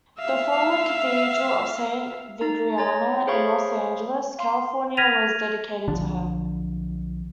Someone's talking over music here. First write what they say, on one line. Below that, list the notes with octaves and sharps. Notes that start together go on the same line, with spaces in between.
The former Cathedral of Saint Vibiana in Los Angeles, California was dedicated to her.
E5 F5
D#4 A#5
C#5 D#5 A#5 A6
G#4 C5 C#5 F5 B5 C#6
F5 C6
F6 G#6 A#6 B6 D#7 F7
B1 D3 F3 D4